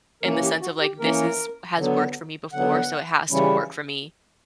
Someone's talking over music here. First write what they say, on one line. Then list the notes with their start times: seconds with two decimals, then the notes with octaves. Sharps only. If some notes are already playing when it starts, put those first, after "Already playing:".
in the sense of, like, this is has worked for me before, so it has to work for me
0.23 E3 A#3 C#4 A#4
0.42 G4
0.61 F#4
0.80 G4
1.00 E3 A#3 C#4 A#4
1.76 D3 F#3 B3
2.53 D3 F#3 B3 F#5
3.30 C#3 E3 G3 C#4 E4